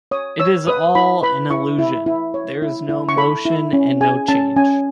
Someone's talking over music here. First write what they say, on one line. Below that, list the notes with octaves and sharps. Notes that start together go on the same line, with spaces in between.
It is all an illusion: there is no motion and no change.
C#5 D#6
C#5 E6
B4 D#6
E4 B5
B4 B5
E4 C#6
E4
E4
C#5
E4
E4
C#6
A4 B5
E4
C#4
G#4 G#5
C#4 A5
C#4 G#5